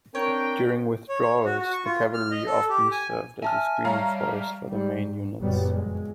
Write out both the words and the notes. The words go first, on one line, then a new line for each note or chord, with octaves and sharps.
During withdrawals, the cavalry often served as a screening force for the main units.
C4 D4 A#4 C#5 G5
C#5
C#5
F#4
F#4
C#6
F4
F6
D#5
A4
G4
G#5
E5 G#5 A5 F6
G3 C#5 F5 A#5
G3
G#2
F#1 F#2 A#2 F#3 G3 B3
F2 G#3